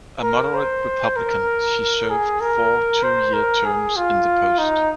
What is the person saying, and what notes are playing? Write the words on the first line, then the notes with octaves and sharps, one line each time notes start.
A moderate Republican, she served four two-year terms in the post.
A#4
C5
A#4
G#4
A#4
C5
A#4
G#4
F4
D#4